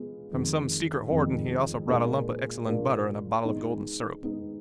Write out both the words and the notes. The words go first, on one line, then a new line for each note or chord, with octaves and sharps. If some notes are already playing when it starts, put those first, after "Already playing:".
From some secret hoarding he also brought a lump of excellent butter and a bottle of golden syrup.
Already playing: G#3 B3 F4
F2 D#3 G#3
F2 D#3 G#3
A#2 G#3 D4 F4 A#4
A#2 G#3 D4 F4 A#4
G#3 B3 D#4
G#3 B3 D#4